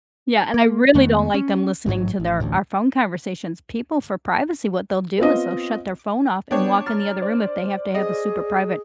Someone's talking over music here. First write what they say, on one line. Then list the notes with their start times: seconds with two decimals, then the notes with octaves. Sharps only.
Yeah, and I really don't like them listening to their our phone conversations. People for privacy, what they'll do is they'll shut their phone off and walk in the other room if they have to have a super private,
0.54 A#3
0.94 F2 D#3 A3 B3
1.34 C#4
1.86 A1 D2 G#2 F#3
2.20 A1
2.40 A1 D2 A2
5.18 B3 C4 F4 D#5
6.51 B3 D4 C#5 G5
6.86 A#5 F6 A6
7.22 C5 D5
7.95 G#4 D#5